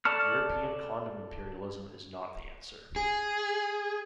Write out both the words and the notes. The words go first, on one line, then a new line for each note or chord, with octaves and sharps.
European condom imperialism is not the answer.
A4 D5 A5 C#6 F6
G#4